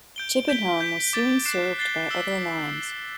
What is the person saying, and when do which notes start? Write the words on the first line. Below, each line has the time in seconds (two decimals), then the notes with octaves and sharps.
Chippenham was soon served by other lines.
0.16 G6 D7 G7
0.48 G6 B6 D7 G7
0.80 G6 B6 D7
1.13 D6 A6 D7 G7
1.45 D6 F#6 C7 E7
1.78 F#6 A6 C7 G7
2.10 E6 B6 E7 G7